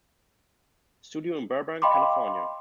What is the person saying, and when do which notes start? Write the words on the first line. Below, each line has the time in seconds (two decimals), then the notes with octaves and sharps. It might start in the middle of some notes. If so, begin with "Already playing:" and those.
Studio in Burbank, California.
1.82 D#5 F5 G5 B5 C6 D6